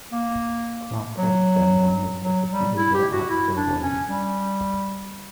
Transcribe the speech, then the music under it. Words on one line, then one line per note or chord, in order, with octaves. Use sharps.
Clark Kent then wonders if the people there are clairvoyant.
A#3
F#3
F#3
G3
E4
G4
F#4
E4
D4
C#4
G3